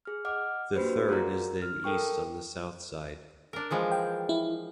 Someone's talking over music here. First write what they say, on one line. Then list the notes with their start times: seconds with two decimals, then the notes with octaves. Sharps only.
The third is then east on the south side.
0.05 G#4 F6
0.25 D#5 F#5 D6 F6
0.76 A#3 D4 F#4 G4 B4 C5
1.09 F4 F#4 G#4 A#4 D5 A#5
1.62 F6
1.84 A4 A#4 G5 C#6
3.53 D4 A#4
3.71 E3 F3 G#3
3.92 G5
4.29 E4